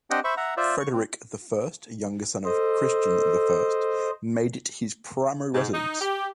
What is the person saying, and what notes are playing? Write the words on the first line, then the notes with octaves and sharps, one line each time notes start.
Frederick the First, younger son of Christian the First, made it his primary residence.
C4 D4 G4 D#5 F#5 G5
C5 E5 B5 C#6
E5 F#5 A#5
F4 C5 D5 E5
C#6
C4
A4 C5 D#5
G#2
D#4
G4